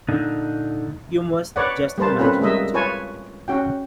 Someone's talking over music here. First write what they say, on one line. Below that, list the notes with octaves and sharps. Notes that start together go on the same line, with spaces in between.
You must just imagine it.
A#2 D3 D4 D#4
B4 C#5 D5 F#5
G3 A#3 B4 C5 A5
C4 C#4 F4 A4 B4
G3 G#3 A#3 D#5 E5
F4 B4 C#5 G#5 A5
C#4 F#4 G5